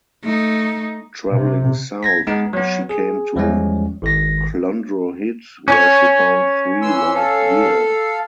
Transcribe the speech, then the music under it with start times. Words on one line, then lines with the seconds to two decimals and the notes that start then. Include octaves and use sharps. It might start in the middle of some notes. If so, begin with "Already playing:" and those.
Travelling south, she came to Clondrohid where she found three white deer.
0.23 A3 D#4
1.30 C3
2.03 G#6 A#6 B6
2.27 G#3 B3 D#4
2.53 F#3 B3
2.89 G#4
3.36 E2 F3 G3 G#3 C#4
4.02 G#1 D#3 A#6
5.68 C#4 C#5
6.82 E3 C6 E6
7.14 A4 F5